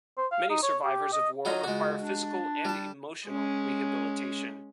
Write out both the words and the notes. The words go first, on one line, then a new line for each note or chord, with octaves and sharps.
Many survivors of war require physical and emotional rehabilitation.
C5
F5
D#4
C#5
G4
D#5
F#3 D#4 F4 C#5 A#5 D#6
C#3 G#3 F4 F#4
D4
G3 A5
G#3 C#4